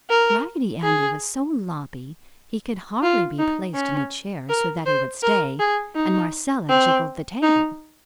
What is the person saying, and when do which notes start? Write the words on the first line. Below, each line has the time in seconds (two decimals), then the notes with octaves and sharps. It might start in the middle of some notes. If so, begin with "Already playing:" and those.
Raggedy Andy was so loppy he could hardly be placed in a chair so that he would stay, and Marcella jiggled the table.
0.09 A#4
0.83 G#4
3.02 F4
3.39 D#4
3.75 C#4
4.49 A#4
4.86 C5
5.23 A#4
5.59 G#4
5.95 D#4
6.69 C4
7.42 D#4